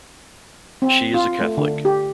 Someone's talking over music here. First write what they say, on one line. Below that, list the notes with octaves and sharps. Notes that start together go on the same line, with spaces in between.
She is a Catholic.
C4
F4
A3
D3
G4